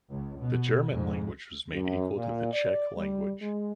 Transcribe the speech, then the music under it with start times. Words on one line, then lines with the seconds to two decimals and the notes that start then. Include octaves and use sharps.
The German language was made equal to the Czech language.
0.10 C#2
0.40 B2
0.90 F2 G#2
1.73 F#2
2.15 A#2
2.52 D5
2.96 G3
3.41 G#3